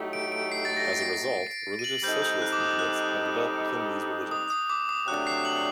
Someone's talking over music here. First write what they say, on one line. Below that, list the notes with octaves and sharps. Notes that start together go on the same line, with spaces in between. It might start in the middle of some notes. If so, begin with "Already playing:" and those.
As a result, religious socialist movements have developed within these religions.
Already playing: A2 F#3 A3 D#4 G4
D7
D7
C7
A6
A#6
D7
C7
D7
D#7
F#7
G3 C4 D#4 A4 G6
G6
F#6
D6
D#6
F#6
D#6
D#6
D6
D#6
C3 F#3 A3 D4 F#6
C7
F#7